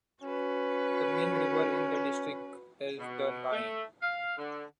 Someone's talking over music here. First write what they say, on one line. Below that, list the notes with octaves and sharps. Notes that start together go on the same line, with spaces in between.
The main river in the district is the Nahe.
C#4 F#4 B4
B2
A3
F5
D3